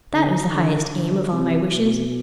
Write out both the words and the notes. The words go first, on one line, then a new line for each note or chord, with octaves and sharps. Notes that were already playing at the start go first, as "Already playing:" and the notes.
That is the highest aim of all my wishes!
D3
D3
D3
C3
B2